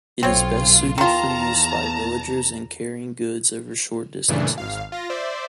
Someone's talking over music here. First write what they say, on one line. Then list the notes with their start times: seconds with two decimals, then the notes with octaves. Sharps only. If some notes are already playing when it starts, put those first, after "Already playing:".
It is best suited for use by villagers in carrying goods over short distances.
0.23 B1 C4 F4 C#5
0.98 E2 D#3 F4 A5 A#5
4.28 G2 A#2 C#3 E3 A3 D4
4.58 G#1 F5
4.92 F4 A#6
5.10 C5 D5 E5